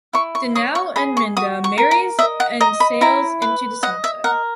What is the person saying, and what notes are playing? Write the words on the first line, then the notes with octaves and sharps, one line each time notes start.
Danao and Minda marries and sails into the sunset.
E4 C#6
C#6
C#5 D#6
C#6
G#4 B5
C#6
F#4 D#6
C#6
A#4
A#5
D#5 E5
F#5
D#5 A#5
B5
E4 A#5
B4
D#5 F#5
E5
A#4 F#5